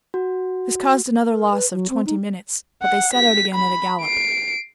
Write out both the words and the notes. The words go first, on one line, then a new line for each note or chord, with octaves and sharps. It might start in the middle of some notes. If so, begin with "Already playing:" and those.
This caused another loss of twenty minutes; but they set out again at a gallop.
F#4
A#4
B4
F#3
C4
D#4
F#5
B6
B5
C7 D7